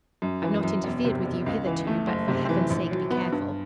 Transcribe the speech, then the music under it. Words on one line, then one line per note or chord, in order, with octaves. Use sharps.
I've not interfered with you hitherto, but for heaven's sake be careful.
F#2
E3
F#2
E1
C3
E1
C#2
E3
A3
F#1
C3
E3
A#1
F#3
B3
G2